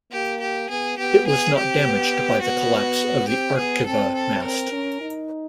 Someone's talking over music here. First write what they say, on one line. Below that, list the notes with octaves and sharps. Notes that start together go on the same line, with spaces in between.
It was not damaged by the collapse of the Arqiva mast.
A#3 G4
G4
B3 G#4
B3 G4
G#4
C4 G4
B3
B3 F#4
C4 G4
B3 G#4
C4 A4
A4
C4 A#4
C#4
D#4